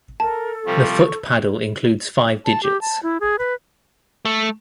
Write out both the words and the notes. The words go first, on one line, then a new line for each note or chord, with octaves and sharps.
The foot paddle includes five digits.
A4 A#4 A5
C3 F3 G3 C#6
A5
G4
A5
E4
G#4
B4
A3